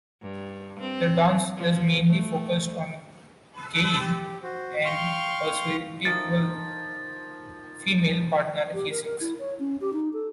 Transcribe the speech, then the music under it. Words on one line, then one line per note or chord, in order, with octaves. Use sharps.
The dance is mainly focused on Gaye and a suitable female partner he seeks.
G2
C4
F3
A3
G4
F#4 C5
F5 G5 C6 C#6 F6
D#3 F3 D6 A6
G4
A#4
A#4
E4
C#5
C#4
G4
D#4
A4